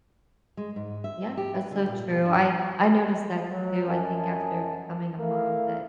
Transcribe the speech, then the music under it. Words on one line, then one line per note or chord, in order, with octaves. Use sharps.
Yeah, that's so true, I I noticed that too, I think after becoming a mom, that
G#3
G#2
E5
G4
B4
D3
A#2
B2
G2
F#3
F#2 D#5 G#5 A5
A3 E4 A#4 E5 F5